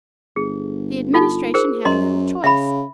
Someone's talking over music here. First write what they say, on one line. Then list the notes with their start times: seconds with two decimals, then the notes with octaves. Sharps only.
The Administration had little choice.
0.36 G1 G#4
1.14 D#4 F4 A4
1.54 G#4 A#4 C5
1.85 F#2 D#5 A#5 C6
2.44 C#3 E5 B5